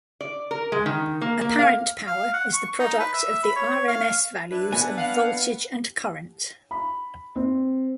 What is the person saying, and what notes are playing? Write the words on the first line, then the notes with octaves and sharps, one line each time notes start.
Apparent power is the product of the rms values of voltage and current.
D5
A#4
G#3
D#3
A#3
A#3
F5
F5
F#5
C#6
D#4
B4
E5
B5
C#5
F5
D4 E4 B4
B3 G#5
F5 F#5
B5
C4